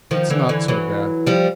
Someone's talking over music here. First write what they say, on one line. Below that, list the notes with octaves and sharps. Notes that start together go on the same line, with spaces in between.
It's not so bad.
D#3 F3
D3 E3
D3 E3
E3 F#3
F3 G3